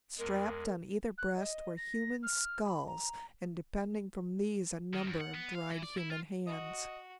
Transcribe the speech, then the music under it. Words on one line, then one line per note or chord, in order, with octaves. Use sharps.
Strapped on either breast were human skulls and depending from these a number of dried human hands.
E2 G#3 A#4
F#6
D#5
A#6
F6
B5
A#5
D#3
F#2
F#5
B3
F5
E3
D5
E4
F4
F#4 D#5